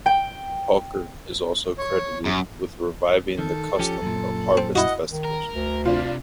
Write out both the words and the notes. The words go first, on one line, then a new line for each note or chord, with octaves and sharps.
Hawker is also credited with reviving the custom of Harvest Festivals.
G5
C#5
F#2
D#3 A4
F3 C#4 G4
F#2 A#2
C4
E4 F#4 D#5 F#5
D#3
A#4
D2
C3 G3 D4 F4